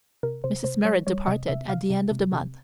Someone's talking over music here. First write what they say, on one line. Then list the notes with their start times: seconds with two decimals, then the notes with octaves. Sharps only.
Mrs. Merrit departed at the end of the month.
0.23 C3 A#4
0.44 C3 C5
0.64 C3 C5
0.85 G3 C#5
1.07 G3 C#5
1.27 C3 D#5
1.48 C3 E5
1.69 C3 F5
1.90 C3
2.11 C3
2.32 C3